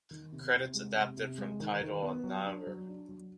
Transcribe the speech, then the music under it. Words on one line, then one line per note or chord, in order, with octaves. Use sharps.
Credits adapted from Tidal and Naver.
D#3
C3
C3
G#3
C3
C3
G#3
D#3
D#3
B3
F#3
D4
F#3
D4
F#3